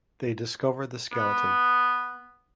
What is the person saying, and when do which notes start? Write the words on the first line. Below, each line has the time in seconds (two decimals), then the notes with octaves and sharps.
They discover the skeleton.
1.13 B3